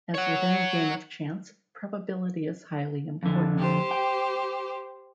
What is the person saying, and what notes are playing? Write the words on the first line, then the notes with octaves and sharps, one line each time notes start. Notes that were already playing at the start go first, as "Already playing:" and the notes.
As with any game of chance, probability is highly important.
C#5 F#5
F2 D3
G4 C5
G5